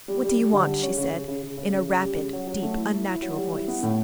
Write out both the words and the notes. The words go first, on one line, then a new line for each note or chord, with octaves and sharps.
"What do you want?" she said in a rapid, deep, unnatural voice.
G3
G3
G3
D3
G3
C#4
C#3
C#3
C#3
C#3
C#3
C#3
C#3
G3
C#3
F#3
F#3
A3
E4
E4
E4
F#3
G3
E4
B3
A2